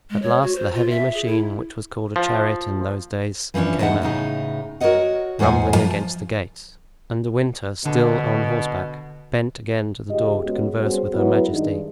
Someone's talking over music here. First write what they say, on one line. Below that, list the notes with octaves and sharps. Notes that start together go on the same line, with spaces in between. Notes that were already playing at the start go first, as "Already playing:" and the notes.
At last the heavy machine, which was called a chariot in those days, came out, rumbling against the gates, and De Winter, still on horseback, bent again to the door to converse with her majesty.
G#3
C#5
F#4
C5
F4
E5
G#4
E4
F3
E3 F3 A#3 C#4 D4
E2 D3 A3 D#4 F#5
A2 C#3 D#4 G#4
F#4 A#4 C5 C#5 D#5 F#5
E2 G#2 C5 F#5 G#5
F3
B2 D3
G#2 C#3 F4 G4 G#4 D#5
G#3 B3 C#4 F#4
G3 B3 C#4 F#4 G#4 C5
F#3 G#3 B3 E4 A#4 B4
G2 D#3 G#3 D4 D#4